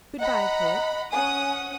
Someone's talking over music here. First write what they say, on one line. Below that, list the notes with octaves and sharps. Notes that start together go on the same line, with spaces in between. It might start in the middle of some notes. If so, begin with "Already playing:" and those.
Good-bye, poet.
D#5 F#5 A#5 B5
C#4 F#5 G#5 D#6